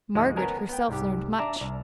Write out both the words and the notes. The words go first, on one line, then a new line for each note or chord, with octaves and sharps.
Margaret herself learned much.
D2 G#2 F3 G#3
B3 C#4 A#4 G#5 A5
B3 G5
C2 G#2 G4
D4 D5 E5 A5 A#5
C2